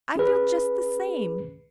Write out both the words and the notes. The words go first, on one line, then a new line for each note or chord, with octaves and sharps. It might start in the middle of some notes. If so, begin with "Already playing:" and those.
I feel just the same.
C#4 G#4 B4